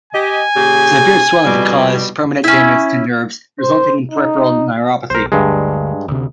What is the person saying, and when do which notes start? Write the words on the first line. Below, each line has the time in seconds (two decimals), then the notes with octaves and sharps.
Severe swelling can cause permanent damage to nerves, resulting in peripheral neuropathy.
0.13 G4 D#5 G#5
0.54 A#2 C#3 G4
1.45 F2 B2 G3
2.44 C#4 E4
3.60 C5
4.11 D#4
5.10 B1 A#4 C5
5.32 D2 G2 D3 G#3 D4
6.08 D2 C3